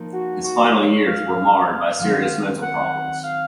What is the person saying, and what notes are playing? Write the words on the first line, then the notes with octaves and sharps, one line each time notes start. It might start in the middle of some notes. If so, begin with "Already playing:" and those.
His final years were marred by serious mental problems.
Already playing: F3 A#3 D#4
F#4
F#4
C#5
F5
D#3 F#3 C4
F#5
F5